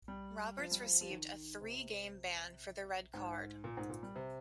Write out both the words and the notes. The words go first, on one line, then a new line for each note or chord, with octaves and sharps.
Roberts received a three-game ban for the red card.
G3
F3
G3
F3
F3
D#3
C3
G#2
A#2
G#2
A#2
G3
C3